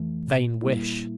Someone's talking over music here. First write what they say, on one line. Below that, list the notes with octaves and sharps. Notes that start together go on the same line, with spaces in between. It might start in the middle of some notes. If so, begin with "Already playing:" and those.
Vain wish!
Already playing: F2 E3 A3
A#2
G3 A#3 E4